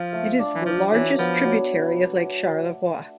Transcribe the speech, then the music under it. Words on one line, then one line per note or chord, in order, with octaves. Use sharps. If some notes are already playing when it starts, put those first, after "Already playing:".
It is the largest tributary of Lake Charlevoix.
Already playing: F3 F4 A4
A3
D4
E3
F3 D4
E3 F#3
F3 B3
F#3